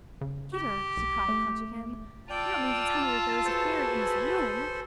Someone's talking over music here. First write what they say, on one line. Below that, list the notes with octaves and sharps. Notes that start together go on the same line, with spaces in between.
"Peter," she cried, clutching him, "you don't mean to tell me that there is a fairy in this room!"
C#3
G4
B1
A3
F4 D5 G5 A5 E6
F#4 G#4 A4 B4 C5